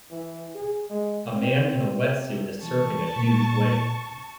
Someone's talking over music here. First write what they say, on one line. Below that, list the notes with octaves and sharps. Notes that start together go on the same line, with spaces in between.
A man in a wetsuit is surfing a huge wave.
E3
G#4
G#3
C4
C3
E3 A5 C#6
A#2 A#3